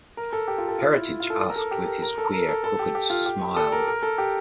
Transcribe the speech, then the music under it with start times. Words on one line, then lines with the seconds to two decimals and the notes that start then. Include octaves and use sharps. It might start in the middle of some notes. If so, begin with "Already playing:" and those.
Heritage asked with his queer crooked smile.
0.17 A#4
0.33 A4
0.48 G4
0.58 F4
0.68 A4
0.79 F4
0.94 E4
1.20 F4
1.30 A4
1.41 A4
1.50 A#4
1.56 A4
1.71 G4
1.87 A#4
2.02 A#4
2.18 A4
2.33 A#4
2.49 A4
2.64 A4
2.79 G4
2.95 G4
3.10 F4
3.26 G4
3.56 A4
3.72 A#4
3.87 A#4
4.03 A4
4.18 G4